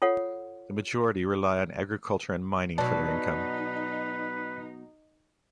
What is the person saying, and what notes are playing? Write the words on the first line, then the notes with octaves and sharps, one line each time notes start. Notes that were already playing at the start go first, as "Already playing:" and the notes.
The majority rely on agriculture and mining for their income.
F4 A4 C#5 F#5
B2 F#3 D#4 B4 D5 A5